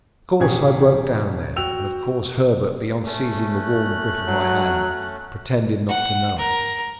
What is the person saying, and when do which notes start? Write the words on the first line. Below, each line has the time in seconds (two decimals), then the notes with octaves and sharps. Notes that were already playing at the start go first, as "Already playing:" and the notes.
Of course I broke down there: and of course Herbert, beyond seizing a warm grip of my hand, pretended not to know it.
0.40 E1 A1 C#4 G4 G#4 G#6
1.56 F#4 G5 E6 F7
3.06 A3 C#4
3.50 F#6
4.28 F#3
5.89 F#5
6.38 A#4